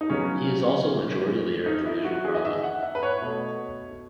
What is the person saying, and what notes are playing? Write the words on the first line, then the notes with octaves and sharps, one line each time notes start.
He is also the Majority Leader of the regional parliament.
D#4
C#3 F#3 B3 C#4
D#4
E4
F#4
G#4
D#5
E5
F#5
E5
B4
C#5
B2 A3